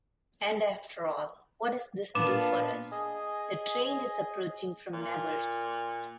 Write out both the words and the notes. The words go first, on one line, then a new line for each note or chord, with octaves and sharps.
And after all, what does this do for us? The train is approaching from Nevers.
A#2 B3 D4 F5 A5 D6 E7
G#4 D#5 G#5
A#2